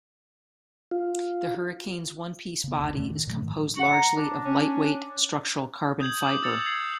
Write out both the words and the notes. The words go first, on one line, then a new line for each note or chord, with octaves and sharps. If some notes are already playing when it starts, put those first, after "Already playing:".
The Hurricane's one-piece body is composed largely of light-weight structural carbon fiber.
F4
C#3 B3
F#1 D2 D3
E2 A#2 D3 A3
D#3
A#2 F#3 A3
G#2 D#3 F3
A#5
D4
C#4
D#6 G6 G#6 F#7
D6 D#6
E6 A6 C#7 F7
G#6 C7 F#7